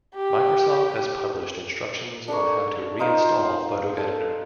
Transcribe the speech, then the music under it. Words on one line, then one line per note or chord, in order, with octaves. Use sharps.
Microsoft has published instructions on how to reinstall Photo Editor.
G4
D4 A4 A#4 C#5
D#4 F4 C5
A4